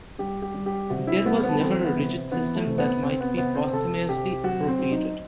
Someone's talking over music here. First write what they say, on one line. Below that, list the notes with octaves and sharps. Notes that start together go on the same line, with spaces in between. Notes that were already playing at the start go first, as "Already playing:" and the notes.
There was never a rigid system that might be posthumously appropriated.
G3 G4
G4
G3
G4
C3 F#4
E4
G3 B3
B3
E3 C4
B3
C3
E3 B3
A3
C3
B3
C3 C4
B3
C3 B3
C4
C3 A4
C3 G4
F#3 F#4
C4
F#3
D#4